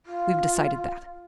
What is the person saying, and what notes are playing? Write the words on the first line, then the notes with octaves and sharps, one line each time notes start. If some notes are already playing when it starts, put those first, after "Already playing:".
We've decided that.
F4